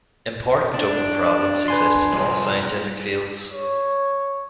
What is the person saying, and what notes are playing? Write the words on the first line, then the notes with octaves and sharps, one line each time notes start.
Important open problems exist in all scientific fields.
D4
B4 G#5 C6
G3 F4 G#4
C#5